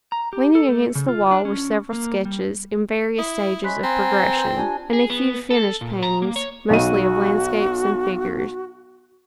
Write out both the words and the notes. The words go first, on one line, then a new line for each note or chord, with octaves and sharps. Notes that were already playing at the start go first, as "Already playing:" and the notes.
Leaning against the wall were several sketches in various stages of progression, and a few finished paintings--mostly of landscapes and figures.
A#5
G4
A4
A3
C#3
F4
D4
C#4
A#3
G3
E4 D#6
G#3 C#4 C5 B5 F#6 B6
C4 C5 G#5 A#5
B4 G5 G6
D4 F4 G4 G#5
G#4
B3
A4
A#2
A#5
A#3
C#5
B1 F#4 D#7